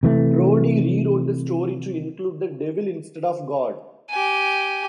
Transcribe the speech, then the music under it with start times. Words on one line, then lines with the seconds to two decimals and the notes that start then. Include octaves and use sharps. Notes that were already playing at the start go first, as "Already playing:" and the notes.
Brody re-wrote the story to include the Devil instead of God.
0.03 C3 E3 A3
4.10 G4 G#5